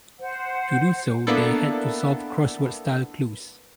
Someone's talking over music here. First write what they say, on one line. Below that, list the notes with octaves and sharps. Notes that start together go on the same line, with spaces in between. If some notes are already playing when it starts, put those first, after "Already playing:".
To do so, they had to solve crossword-style clues.
C5 F#5
A#3 B3 D4 E4 A4